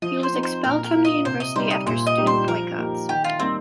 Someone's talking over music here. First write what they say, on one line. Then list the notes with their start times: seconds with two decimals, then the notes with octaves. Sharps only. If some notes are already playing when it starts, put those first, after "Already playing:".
He was expelled from the university after student boycotts.
0.02 F3 D#5
0.23 C5
0.33 C4 D#4
0.43 C5
0.64 A#2 A#4
0.84 A#4
0.95 A#3 F4
1.05 D#5
1.25 C3 C5
1.40 D#5
1.56 G3 D#4 C5
1.70 D#5
1.86 A#2 C5
2.07 D#5
2.18 G3 D#4 G4
2.27 C5
2.47 F3 A#4
2.78 A#3 D#4 G4
3.09 D#3 G4
3.24 F4
3.40 G3 A#3 C4 D#4